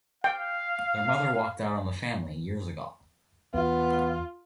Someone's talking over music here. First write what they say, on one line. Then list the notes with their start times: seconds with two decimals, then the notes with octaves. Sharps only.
Their mother walked out on the family years ago.
0.24 F5 G5
3.54 E2 B3 F4